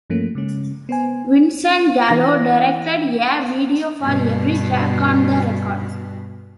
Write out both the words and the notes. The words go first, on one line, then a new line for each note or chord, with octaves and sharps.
Vincent Gallo directed a video for every track on the record.
G2 F3 A3 A#3 C#4
C#3 G#3 C#4
B3 C5 G#5
E3 A#6
G2 B2